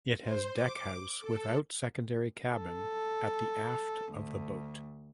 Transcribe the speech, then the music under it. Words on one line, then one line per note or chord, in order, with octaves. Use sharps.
It has deckhouse without secondary cabin at the aft of the boat.
C5
D6
A4
A4
D2